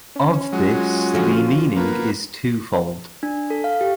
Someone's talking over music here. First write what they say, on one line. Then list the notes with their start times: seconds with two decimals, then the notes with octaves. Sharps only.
Of this the meaning is twofold.
0.16 C#4
0.53 F#3 G#3 F4
1.14 D3 F3 F#4
1.77 A#3 B3
3.23 D4
3.50 A4
3.64 F5
3.81 G4